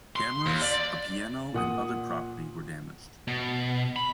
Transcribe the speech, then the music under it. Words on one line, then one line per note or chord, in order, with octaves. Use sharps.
Cameras, a piano and other property were damaged.
C6
D#2
D5
A#2 F#5 D#6
B2
B5